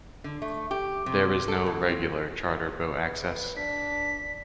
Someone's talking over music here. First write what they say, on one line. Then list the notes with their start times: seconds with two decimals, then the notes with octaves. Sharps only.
There is no regular charter boat access.
0.24 D3
0.42 A3
0.71 G4
1.06 C3
1.48 A4
1.66 B2
1.89 C4
2.89 B4
3.57 D4 B6